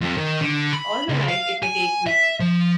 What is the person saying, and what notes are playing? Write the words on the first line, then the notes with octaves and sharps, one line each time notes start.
All my life it may take me!
F2
D#3
D3
B5
C#2
F5
G#5
E5
F3